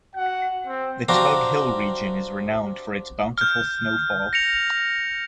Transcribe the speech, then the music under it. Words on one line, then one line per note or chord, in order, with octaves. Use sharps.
The Tug Hill region is renowned for its bountiful snowfall.
F#4 F#5
C4
C4 D4 F#4 G4 F5 A#5
F6 G6
A#6 C#7 F7